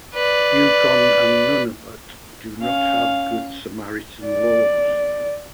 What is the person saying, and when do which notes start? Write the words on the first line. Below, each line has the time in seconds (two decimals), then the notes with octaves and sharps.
Yukon and Nunavut do not have good Samaritan laws.
0.15 B4 D5
2.61 C#4 F5
4.26 D5